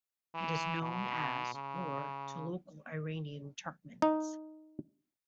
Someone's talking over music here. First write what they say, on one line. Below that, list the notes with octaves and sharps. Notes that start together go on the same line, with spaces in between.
It is known as or to local Iranian Turkmens.
E3
B2
C#3
D#4